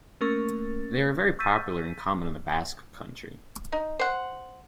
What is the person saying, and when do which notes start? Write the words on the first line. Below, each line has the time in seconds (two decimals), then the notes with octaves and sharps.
They are very popular and common in the Basque Country.
0.21 A3 A#3 C#4 A#4 C#6 A6
1.39 C#6 E6 G6 A6 B6 D#7
3.72 D#4
3.99 C5 F#5